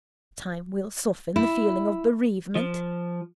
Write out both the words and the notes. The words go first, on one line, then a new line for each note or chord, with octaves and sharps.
Time will soften the feeling of bereavement.
E4
F3